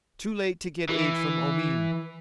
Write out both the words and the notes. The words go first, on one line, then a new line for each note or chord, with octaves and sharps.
Too late to get aid from Omean.
E3